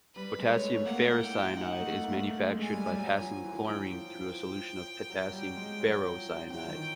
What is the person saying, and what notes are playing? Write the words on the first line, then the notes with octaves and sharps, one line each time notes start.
Potassium ferricyanide is manufactured by passing chlorine through a solution of potassium ferrocyanide.
G3 B4
G#3
C#5
A3
A#3 F#5
E4
G5
F4
D#4 F#5
A3
A#3
A3
G#3
G#5
G3
G3
F#3 G#5
F3
E3
E3 G5
F3
F3
F#3
G3
G#3
F#3
F3
F3
E3 G5
D#3